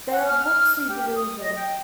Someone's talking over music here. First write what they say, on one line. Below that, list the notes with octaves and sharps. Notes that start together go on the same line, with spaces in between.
They are books we believe in.
F#5
F6
G4
D#6
D#5
G5